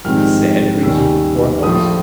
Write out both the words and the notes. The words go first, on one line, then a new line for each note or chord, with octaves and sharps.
"He said?" resumed Porthos.
A#1 G#2 D#3 G3 C4 F6
D#2 D#3 G3 A#3 C#4 E6
A#1 A2 F3 D#6